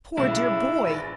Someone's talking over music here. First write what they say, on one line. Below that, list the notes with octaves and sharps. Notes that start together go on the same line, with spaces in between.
Poor dear boy!
B1 C#3 E4
A#1 B4 A6